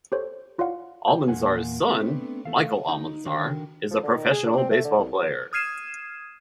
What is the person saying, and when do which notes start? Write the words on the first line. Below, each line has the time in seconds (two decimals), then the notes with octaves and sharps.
Almanzar's son, Michael Almanzar, is a professional baseball player.
0.12 G4 A4 C5 C#5
0.58 E4 F4 C#5 D5 F5 F#5
1.08 G5
1.28 E2 A#2 A#3 F#5 G#5
1.88 A3 B3 C4 D4 B4
2.45 A3 A4 F5
2.89 D#4
3.26 D3 D#3 D4 F#4 A#4 G5
3.91 F3
4.03 D3
4.15 D#3
4.31 G#4
4.46 D4
4.58 C4
4.71 A3
4.85 D3
4.97 C2
5.13 F#3
5.53 D#6 F6 G#6 C7 D#7 E7